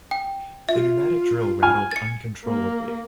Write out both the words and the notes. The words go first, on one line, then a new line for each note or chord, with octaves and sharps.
The pneumatic drill rattled uncontrollably.
G5
F4 E5
G#5 F6
A6 C#7
A#3